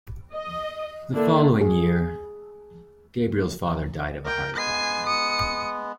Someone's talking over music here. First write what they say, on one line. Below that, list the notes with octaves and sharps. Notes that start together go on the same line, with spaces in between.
The following year, Gabriel's father died of a heart attack.
D#5
D3 A#3 D4 E4
G#4
A#4 G5
G#3 B3 G#5 C7
D#6 C#7